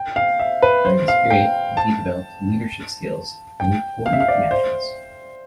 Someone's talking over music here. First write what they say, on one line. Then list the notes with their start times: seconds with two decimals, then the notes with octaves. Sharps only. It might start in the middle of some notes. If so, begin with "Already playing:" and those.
During this period he developed leadership skills and important connections.
Already playing: G5
0.16 F5
0.39 E5
0.62 B4
0.85 C5
1.08 F5
1.31 G5
1.77 A5
3.60 G5
4.06 F5
4.13 E5
4.20 F5
4.28 D5
4.51 C5